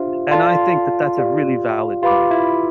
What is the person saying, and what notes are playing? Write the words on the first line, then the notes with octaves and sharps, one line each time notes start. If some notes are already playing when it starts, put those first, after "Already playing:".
And I think that that's a really valid point.
Already playing: D4 F4 G4 C5 E5
F4 A4 D5 A5 C6
G4 D5 F5
F4 G4 B4 F5 B5 D6
E4